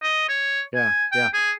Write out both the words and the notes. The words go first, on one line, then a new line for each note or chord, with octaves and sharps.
Yeah, yeah.
D#5
C#5
G#5
G5
G#4